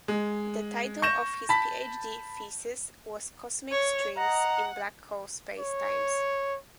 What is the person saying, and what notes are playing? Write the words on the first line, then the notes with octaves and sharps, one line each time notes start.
The title of his PhD thesis was "Cosmic strings in black hole spacetimes".
G#3
C#6 G6 A#6 E7
A5 B5 B6
C#5
D#5 F#5 A#5
C#5